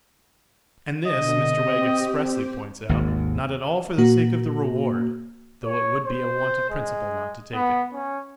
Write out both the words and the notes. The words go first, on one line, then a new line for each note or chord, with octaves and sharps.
And this, Mr Wegg expressly points out, not at all for the sake of the reward--though it would be a want of principle not to take it.
B2 D3 D#5
C4 G4
G#1 D#2
A#2 A#3 F#4
C#5
C5
G#3
B3
C#4